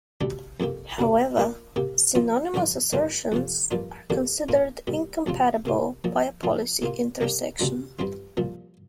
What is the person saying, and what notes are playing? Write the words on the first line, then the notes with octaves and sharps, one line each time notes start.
However, synonymous assertions are considered incompatible by a policy intersection.
D2 C3 G3 D4 G4
F2 C3 A#3 G4
D2 C3 A#3 D4
A#2 A#3 D4
C3 A#3 G4
A#1 A#2 F3 C4 F4
G2 D3 F3 D4 F4
G2 D3 A#3 D4 F4
F2 C3 F3
G2 F3 A#3 D4 F4
F2 D3 A#3 D4 G4
A#2 A#3 D4 F4
C2 A#2 G3
D2 C3 F3 C4 F4
C3 A#3 F4
A#1 A#2 F3
A#2 F3 D4 F4
C3 A#3 F4
C3 G3 A#3 D4 G4
D2 C3 G3 D4 F4
G2 G3 C4 F4
C2 A#2 F3